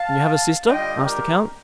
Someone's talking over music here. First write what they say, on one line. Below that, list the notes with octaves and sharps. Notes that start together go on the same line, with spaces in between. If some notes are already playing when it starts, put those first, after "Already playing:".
"You have a sister?" asked the count.
Already playing: F5 A5
D3 G3 D4 F4 D#5 G5
G4 A#4